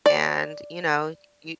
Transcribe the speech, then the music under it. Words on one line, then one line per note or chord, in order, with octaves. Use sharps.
and, you know, y
D5